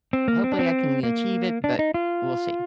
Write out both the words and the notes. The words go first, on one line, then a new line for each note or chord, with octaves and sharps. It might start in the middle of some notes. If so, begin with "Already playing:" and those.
hopefully I can achieve it, but we'll see.
C4
A#3
C4
D4
C4
A#3
D4
D#4
F4